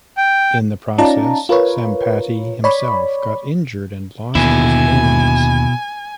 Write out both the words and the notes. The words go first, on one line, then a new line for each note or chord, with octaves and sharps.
In the process, Sampati himself got injured and lost his wings.
G5
C#4 D#4 F4 D5 A5 A#5
F4 A#4 B4 C#5
C#5 D5 B5
D#2 B2 D3 E4 G#5